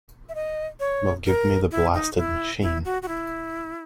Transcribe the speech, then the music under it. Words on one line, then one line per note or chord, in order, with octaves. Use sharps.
Well, give me the blasted machine.
E5
D#5
C#5
A#4
E4
D#4
E4
E4
F#4
F#4
E4